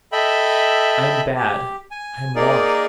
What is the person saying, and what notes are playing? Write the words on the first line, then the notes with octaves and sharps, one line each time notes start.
'I am bad, I am lost.
A4 D#5 E5 G5 B5
G4
G#5
A#3 D#4 G#4 A#4 D5